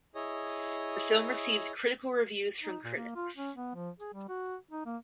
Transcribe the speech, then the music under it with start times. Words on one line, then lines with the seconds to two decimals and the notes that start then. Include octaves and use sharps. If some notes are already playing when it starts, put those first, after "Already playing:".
The film received critical reviews from critics.
0.15 E4 G#4 C#5 D#5
2.62 D#4
2.84 A#2
2.96 A#3
3.16 F4
3.37 C#4
3.56 B3
3.75 F3
3.99 G#4
4.14 G3
4.29 F#4
4.71 D#4
4.86 A#3